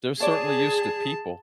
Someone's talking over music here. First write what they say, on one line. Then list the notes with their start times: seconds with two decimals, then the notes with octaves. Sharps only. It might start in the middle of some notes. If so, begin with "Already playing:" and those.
they're certainly used to people.
0.20 G#4 C#5 D5 A5